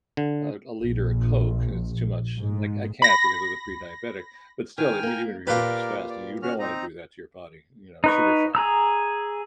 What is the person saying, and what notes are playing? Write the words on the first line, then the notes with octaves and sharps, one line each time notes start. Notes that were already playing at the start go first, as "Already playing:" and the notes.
a a liter of Coke 'cause it's too much, and, like, I can't because of the pre-diabetic, but still, we do it we were just fasting. You don't wanna do that to your body, you know- sugar shock,
D3
A#1
G#2
B5 A#6
D#3 G5 G#5 F6
A#3 A#4
A#2 F4 G4 A#4 B4 D5
D5
C#4 F#4 F6
C4 D#4 A#5
D#4 B4 C#6
G#4 A#5 E6